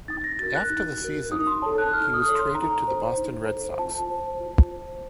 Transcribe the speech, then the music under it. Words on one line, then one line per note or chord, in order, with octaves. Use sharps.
After the season, he was traded to the Boston Red Sox.
D#4 A6
A#6
F#4 A#4 A6
F#6
D#4
F#4 A#4
D#4 D#6
C6
A4 C#5 A5
F#6
D#4 F6
D#6
A4 C#5
C6
D#4 A#5
A4 C5
D#4
A4 C5
F4 A5
C5
F4
C5